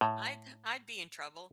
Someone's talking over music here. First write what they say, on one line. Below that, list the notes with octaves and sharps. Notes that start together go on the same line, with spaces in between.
I'd I'd be in trouble.
A2